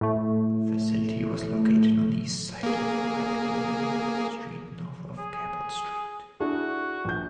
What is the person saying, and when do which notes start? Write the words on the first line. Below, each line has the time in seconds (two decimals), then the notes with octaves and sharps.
The facility was located on east side of Rectory Street north of Cabell Street.
0.01 A2 A3
2.63 A#3 G#4
5.18 G#4
6.40 D4 E4 F#4 G#4
7.05 A#1 G6